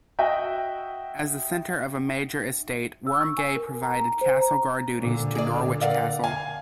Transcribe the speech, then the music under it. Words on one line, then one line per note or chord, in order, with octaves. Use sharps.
As the centre of a major estate, Wormegay provided castle-guard duties to Norwich Castle.
F#4 D#5 E5 G5
E6
C#6
G#5
A#4
A#5
A#5
C5
A#5
A#2 D3
G#4 D5
A#4 D5 F5 F#5
F5 G#5